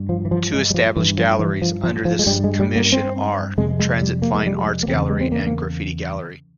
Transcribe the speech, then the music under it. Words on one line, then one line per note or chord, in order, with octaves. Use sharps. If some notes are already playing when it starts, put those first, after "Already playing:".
Two established galleries under this commission are: Transit Fine Arts Gallery and Graffiti Gallery.
Already playing: G2
F3
E3
F3
G#3
G3
F3
G2 E3
F3
E3
F3
F3
F3
G#3
G2 G3
G#3
G3
A#3
C4
F2 C3 G#3
G#3
G3
A#3
G#3
G3
G#3
A#3
E2 C#3 C4
G#3
C4
A#3
A#3